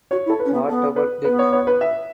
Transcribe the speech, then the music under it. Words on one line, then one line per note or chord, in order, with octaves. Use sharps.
What About Dick?
F#4 C#5
E4
A4
B4
C#4
B3
B3 A4
B4
B3 B4
C#5
C#5
B4
E5